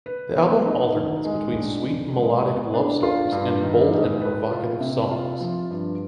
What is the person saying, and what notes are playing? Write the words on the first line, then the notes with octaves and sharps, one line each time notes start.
The album alternates between "sweet melodic" love stories and "bold and provocative" songs.
B4
B3
D#4
D#3
G#3
D4
F2
G#3
B3
D4
F4
G2
D#3
G#2
B4
F4
C3
F4
F3
G2